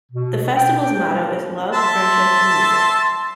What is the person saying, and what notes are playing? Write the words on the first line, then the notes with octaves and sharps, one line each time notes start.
The festival's motto is "Love, Friendship, and Music".
B2
G5
E5 A5 C6